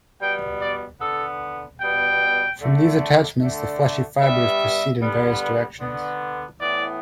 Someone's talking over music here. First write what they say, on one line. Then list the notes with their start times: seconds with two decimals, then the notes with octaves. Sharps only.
From these attachments the fleshy fibers proceed in various directions.
0.20 B2 G3 B3 G5
0.61 D5
1.00 D3 B3 A4
1.80 B2 G3 B3 G5
2.60 D3 A3
3.40 D3 A3
4.19 G2 G3 B3 E5
5.00 D3 G3 B3
5.79 D3 B3
6.60 A2 E3 B3 D5